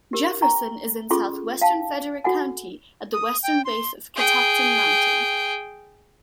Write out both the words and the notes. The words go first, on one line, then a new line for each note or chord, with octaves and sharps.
Jefferson is in southwestern Frederick County at the western base of Catoctin Mountain.
G4 A#4
G5 A#5 C#6
C#4 F4 G#4 A4 C6 C#6
F5 G5 A5
F#4 A4 F#5 G#5
D#6
G5
C6
G#4 G5